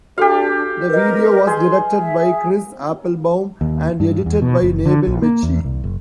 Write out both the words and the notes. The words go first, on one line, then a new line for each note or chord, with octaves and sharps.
The video was directed by Chris Applebaum and edited by Nabil Mechi.
D4 F#4 G4 A4 F5
A#4 B4 D#5
G#4 C6
E5
D#2
G2
E2
B2
F#1
D3
A#1
A#3
E2
C2
F#1